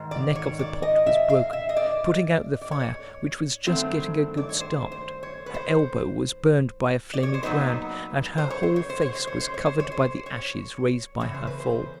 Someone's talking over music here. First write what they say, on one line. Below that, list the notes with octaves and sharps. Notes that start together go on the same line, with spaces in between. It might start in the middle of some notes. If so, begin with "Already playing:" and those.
The neck of the pot was broken, putting out the fire, which was just getting a good start, her elbow was burned by a flaming brand, and her whole face was covered by the ashes raised by her fall.
Already playing: G#2 D#3
D5
C#5
D5
D#5
E5
F5
E5
D#5
D5
D5
C#5
G2 D#3 F#3 A3 C4
D5
C#5
C5
C5
C#5
B4
C5
D5
C#5
C5
A#2 F#3 B3 D#4 B4
C5
C#5
C5
C#5
C5
C#5
C5
C#5
C5
C#5
C5
C#5
C5
C#5
E2 C#3 C#5
C5
B4
C5